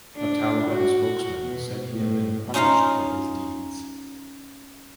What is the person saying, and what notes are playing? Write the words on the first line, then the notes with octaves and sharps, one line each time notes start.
A Taliban spokesman said he had been "punished for his deeds".
D4
F#4
B2
A2
C#4 D#4 F4 F5 A#5